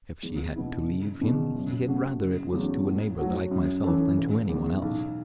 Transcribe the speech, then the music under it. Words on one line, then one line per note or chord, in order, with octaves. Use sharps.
If she had to leave him he had rather it was to a neighbour like myself than to anyone else.
E2
B2 B3 E4
F#1
E2 B2
F#2
C#3 A3 F#4
F#1
E2 C#3 F#3 A3
A2
F#3 A3 F#4
F#2
E3 C#4 A4
E1
E2 E3
B1